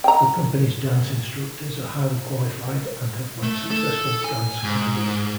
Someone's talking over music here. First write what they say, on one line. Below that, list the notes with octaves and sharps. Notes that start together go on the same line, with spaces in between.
The company's dance instructors are highly qualified and have led successful dance careers.
G5 A#5
A3
A4
G#5
G#2